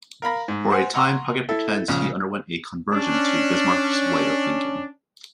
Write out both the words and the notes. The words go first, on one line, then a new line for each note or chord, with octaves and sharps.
For a time Puckett pretends he underwent a conversion to Bismark's way of thinking.
A#4 F5 B5 A#6
G#2
C5 F#5 G#5
F#5 A#5 C6 C#6
E4 A4
A#1 C#3
C#4 D4